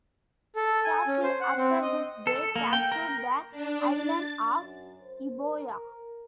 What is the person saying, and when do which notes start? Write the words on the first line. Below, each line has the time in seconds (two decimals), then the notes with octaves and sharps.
Shortly after this, they captured the island of Euboea.
0.56 A4
0.85 G#5
1.07 C#4
1.23 C5
1.41 F#5
1.57 C4
1.82 D#5
2.27 A4
2.56 A#3
2.73 G5
2.92 A#4
3.51 D4
3.90 A6
4.57 F#2
5.03 C5
5.42 A#4